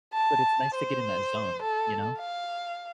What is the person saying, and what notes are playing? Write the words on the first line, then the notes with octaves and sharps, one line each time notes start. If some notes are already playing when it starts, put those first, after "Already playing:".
But, it's nice to get in that zone, you know?
A5
C5
A4
F5